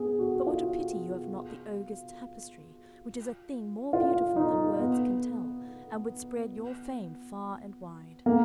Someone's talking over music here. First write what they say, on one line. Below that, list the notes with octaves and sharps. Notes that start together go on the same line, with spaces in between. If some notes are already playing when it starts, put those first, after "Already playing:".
But what a pity you have not the ogre's tapestry, which is a thing more beautiful than words can tell, and would spread your fame far and wide!
Already playing: B3 G#4
F#4
F4
F4
D#4
B3
A#3